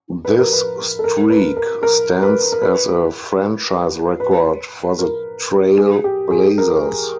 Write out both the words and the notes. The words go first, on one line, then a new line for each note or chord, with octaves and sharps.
This streak stands as a franchise record for the Trail Blazers.
B4
A#4
B4
A4
A#4
B4
A#4
A#4
B4
A#4
B4
B4
A#4
G#4
G4
G#4
A#4